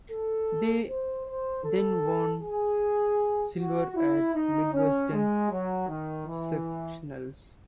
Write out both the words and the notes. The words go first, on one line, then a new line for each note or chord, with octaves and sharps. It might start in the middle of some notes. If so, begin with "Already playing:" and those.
They then won silver at Midwestern Sectionals.
A4
C5
C5
A4
G#4
F#4
E4
D#4
C#4
G#3
F#3
D#3
E3